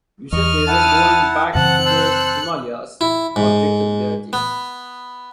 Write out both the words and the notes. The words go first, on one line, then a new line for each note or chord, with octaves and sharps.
"You said they were going back to the Himalayas," objected Bertie.
E2 D#5 C#6 D#6 F6
E4 F#5 A5
F#2 C#3 E3 C4 F#5 A5 F#6 C#7
C5 A5 E6
E4
G#2
B3